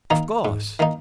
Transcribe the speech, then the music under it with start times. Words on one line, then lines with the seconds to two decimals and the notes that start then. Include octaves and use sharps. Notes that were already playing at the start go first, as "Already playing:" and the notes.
"Of course."
0.10 D#3 A#3 D#4
0.45 G#2
0.79 D#3 A#3 D#4